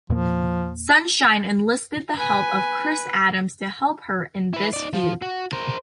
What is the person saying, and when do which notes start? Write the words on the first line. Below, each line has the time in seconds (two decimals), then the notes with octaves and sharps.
Sunshine enlisted the help of Chris Adams to help her in this feud.
0.10 E2 A#2 F3 A#3
2.19 B4 G#5
4.53 E4 B4
4.73 D#4 D5
4.93 F3
5.22 F#4
5.53 A#4 C5